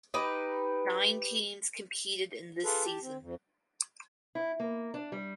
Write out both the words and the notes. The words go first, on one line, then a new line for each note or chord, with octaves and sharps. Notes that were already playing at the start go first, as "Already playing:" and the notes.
Nine teams competed in this season.
D#4 G4 B4
F4 G#4 A4 B4
G4 A5
C4
F2
E4
A#3
D4
G3